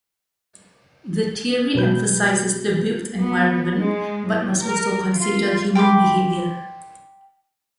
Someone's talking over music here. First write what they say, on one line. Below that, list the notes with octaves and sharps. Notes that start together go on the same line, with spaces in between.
The theory emphasizes the built environment, but must also consider human behavior.
B2 F#3 B4 G6
B3
G#3
A2
A#4
F4
G5 B5 C6 D6